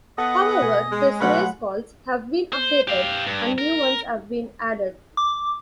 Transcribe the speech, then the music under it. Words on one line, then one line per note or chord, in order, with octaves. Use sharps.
However, his race calls have been updated, and new ones have been added.
B3 A4 D#5 F#5
B2 G#5
G#3
B2 F#3 G#3 A3 F5 F#5 B5
C5
G4 F5
G2
A#4
D6